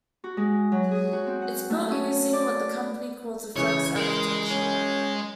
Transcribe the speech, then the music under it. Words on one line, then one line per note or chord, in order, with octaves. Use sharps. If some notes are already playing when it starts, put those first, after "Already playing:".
It's built using what the company calls a "Flex architecture".
F#4
G#3
F#3
G#4
F#4
C4
F#5
A3
C#4
D5
C#3 E3 G#3 C#5
G#3 A#4
C#4